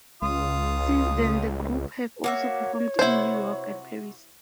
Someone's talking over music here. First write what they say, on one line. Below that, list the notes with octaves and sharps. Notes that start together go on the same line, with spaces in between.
Since then the group have also performed in New York and Paris.
C#2 F4 D#6
A#3 F#4 C#5 E5
C3 E4 F#4 C5